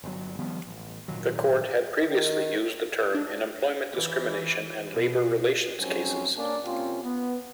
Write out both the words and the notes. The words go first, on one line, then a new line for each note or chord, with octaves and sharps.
The Court had previously used the term in employment discrimination and labor relations cases.
G1 F#3
D#3 F3 G3 B3
A1
G#1 A#2 D#3 F#3
D#3
D4
E3
B2
F2 G#2 F#3 C4 C#4
A#3 C#4 D4
C3 A#3 C4 C#4 F4
B3